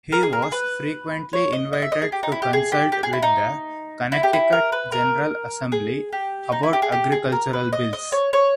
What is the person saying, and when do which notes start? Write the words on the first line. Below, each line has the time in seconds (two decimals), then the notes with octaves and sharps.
He was frequently invited to consult with the Connecticut General Assembly about agricultural bills.
0.12 A#4
0.23 G#4
0.33 A#4
0.42 G#4
0.52 B4
1.33 C#5
1.53 D#5
1.73 D#5
1.82 E5
1.92 D#5
2.02 G#4
2.12 G4
2.23 D#4
2.32 E4
2.42 G4
2.53 G#4
2.72 G4
2.92 G4
3.03 G#4
3.13 E4
3.23 D#4
4.12 E4
4.23 G4
4.33 E4
4.52 A#4
4.72 B4
4.92 A#4
5.72 G#4
6.13 G4
6.52 D#4
6.63 E4
6.73 G4
6.82 G#4
6.92 G4
7.12 G#4
7.32 A#4
7.53 B4
7.73 D#5
7.93 D#5
8.12 C#5
8.33 C#5